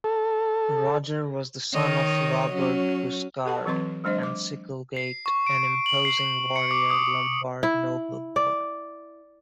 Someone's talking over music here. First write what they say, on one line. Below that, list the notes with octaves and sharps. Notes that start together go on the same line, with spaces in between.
Roger was the son of Robert Guiscard and Sikelgaita, an imposing warrior Lombard noblewoman.
A4
D#3 C#5 D#5
F#3 C#4
G4 A4 F#5 A5
E3 F#3 C4 B4 C6
F#3 G#3 D4 C5 D#5
D6
C7
C#6
D7
F#7
C7
C#7
D6
D#6
E4
D5